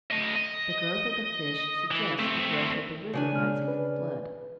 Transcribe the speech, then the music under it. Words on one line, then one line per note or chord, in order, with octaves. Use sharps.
The growth of the fish suggests the growth of the river rising in flood.
A3 D#5
D#5
E3
A3 C4
C#3 D4 G#5
G#3 F6
B4